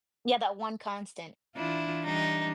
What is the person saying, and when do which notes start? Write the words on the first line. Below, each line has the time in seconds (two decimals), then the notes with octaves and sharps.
Yeah, that one constant.
1.56 E3 D4 E4 F4
2.05 E3 G3 D4 D#4